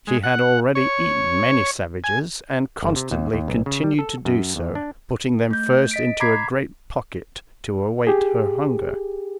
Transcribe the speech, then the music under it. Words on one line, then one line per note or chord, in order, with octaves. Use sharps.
She had already eaten many savages and constantly continued to do so, putting them first into a great pocket to await her hunger.
G#3
F#5
C#5
G#5
G1
C3
D#2
D#2
B1
C#3
G3
A4
F#2
E2
D4
A3 G6
D#5 B6 D7
A#5 B5 D6 G#6 B6 C7
G4 G#4